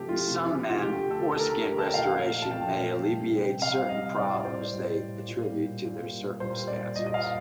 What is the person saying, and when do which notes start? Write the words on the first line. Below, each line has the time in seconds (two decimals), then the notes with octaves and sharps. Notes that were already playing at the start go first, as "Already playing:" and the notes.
In some men, foreskin restoration may alleviate certain problems they attribute to their circumcisions.
Already playing: C3 F3 A3 G4 A4
0.09 F4
0.27 C3 F3 A3
0.69 F4
0.83 D3 A3 G4
1.10 A4
1.32 A4
1.39 D3 A3 A#4
1.79 A5
1.87 G5
1.94 A#2 F3 A3 F5
2.42 A5
2.50 A#2 F3 A3 G5
3.06 C3 G3
3.61 C3 G3 F5
3.89 D#5
4.17 A2 G3 D5
4.37 D5
4.45 C5
4.72 A2 G3
5.29 A#2 G3
5.85 A#2 G3
6.40 A#2 G3 C5
6.68 D5
6.95 G3 D#5
6.99 A#2
7.07 D#5
7.14 F5